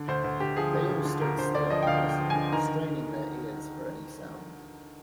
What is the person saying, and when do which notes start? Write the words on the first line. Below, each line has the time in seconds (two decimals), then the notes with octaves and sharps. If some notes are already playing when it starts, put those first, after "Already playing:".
They all stood still and listened, straining their ears for any sound.
Already playing: D3
0.08 D2 C5
0.24 D2
0.40 D2 G4
0.57 F3 G#4
0.74 D3
0.89 D2
1.05 D3
1.21 D2 A#4
1.38 D3 C5
1.54 D2 D5
1.70 F3 D#5
1.83 G5
1.87 D2 F5
2.04 D2
2.09 G5
2.20 F3
2.30 G#5
2.35 D3
2.53 D#3 A#5